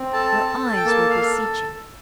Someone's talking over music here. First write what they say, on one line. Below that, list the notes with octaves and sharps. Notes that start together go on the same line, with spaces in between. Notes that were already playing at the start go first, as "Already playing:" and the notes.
Her eyes were beseeching.
Already playing: C4
A4 A5
A4
G5
A#3 A5
F5
A4